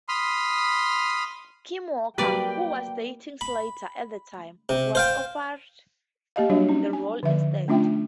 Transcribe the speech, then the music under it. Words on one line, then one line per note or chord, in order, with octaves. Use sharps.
Kim Walker, who was dating Slater at the time, was offered the role instead.
B5 C6 D#6 F6
F#3 G3 A#3 G4 B4 D5 G5
B5
C3
C5 F5 G5
A#3 G4 D#5 F5
F#3 G3 D4 F#4 C#5
C#4 D#4
G#5
D3 F3 E5
A3 C#4 D4 F4 E5 G5